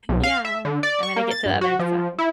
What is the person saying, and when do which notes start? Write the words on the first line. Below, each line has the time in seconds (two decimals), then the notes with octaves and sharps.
Yeah. I'm gonna get to the other side.
0.09 B1
0.23 F5
0.45 E5
0.65 D3
0.83 D5
1.03 C#6
1.16 A#3
1.31 A6
1.46 G2
1.61 F#4
1.79 F3
2.19 E4